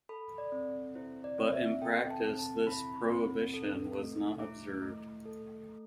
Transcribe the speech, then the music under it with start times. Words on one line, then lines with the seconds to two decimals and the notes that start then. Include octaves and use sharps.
But in practice this prohibition was not observed.
0.09 A4 B5
0.38 D5
0.52 C4
0.95 E4 C5
1.24 D5
1.38 C4
1.53 E5
1.82 A4 G5
2.11 A5
2.24 C4
2.39 A5
2.67 E4 B5
3.10 C4
3.54 A4
3.97 A3
4.39 E4 D6
4.82 A3
5.26 A4
5.69 A3